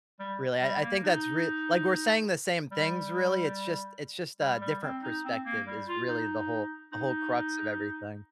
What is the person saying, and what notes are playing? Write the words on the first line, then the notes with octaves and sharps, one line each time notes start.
really. I I think that's real like, we're saying the same things, really, it's just it's just a different perspective is really the whole the whole crux of everything.
G3
G3
A#3
D#4
G3
G3
G3
C4
D#4
C4
A#3
G3
F4
D#4
D#4